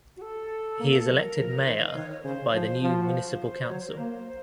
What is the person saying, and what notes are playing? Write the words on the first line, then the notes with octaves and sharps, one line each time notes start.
He is elected mayor by the new municipal council.
F#4
A4
A#3
F#3 A#4
F3
D#3 C5
F5
D#5
D#3 C#5
C#5
A#4
C#3 C5
F3
F3
F#4
C5
F#3 C#5
C5
A#4
A#3 C5